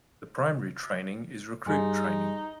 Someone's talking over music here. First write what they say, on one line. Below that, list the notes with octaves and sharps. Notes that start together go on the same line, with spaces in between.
The primary training is recruit training.
G2 G3 D#4 G#4 G#5 C6